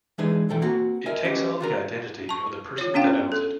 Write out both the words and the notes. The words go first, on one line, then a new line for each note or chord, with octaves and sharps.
It takes on the identity of the person that owns it.
E3 G#3 D4 D#4 G#4 B4
B2 E3 A4 G5
A#3 C4 F#4
A#4 D#5 E5 G#5
C#4 G4 B4 D#5
F4 F#4 A#4
A5 C#6
F4 C#5
B3 C#4 D4 F4 F5 G5
A4